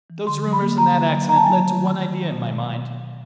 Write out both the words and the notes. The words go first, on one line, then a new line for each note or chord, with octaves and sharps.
Those rumours and that accident led to one idea in my mind.
E3
D3 C6
F#3
B5
A#3
D3 A#5
D3
F#3
D#3 A#5
A5
G#5
F#3 A5
A3
D#3
D#3
F#3
B2